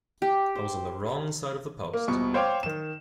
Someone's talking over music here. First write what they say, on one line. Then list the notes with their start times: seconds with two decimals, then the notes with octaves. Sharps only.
I was on the wrong side of the post.
0.22 G4
0.56 C5
1.93 A#3
2.08 D#1 B2 C#6
2.34 C5 C#5 F5 G5 C6 D6
2.63 D#3 E7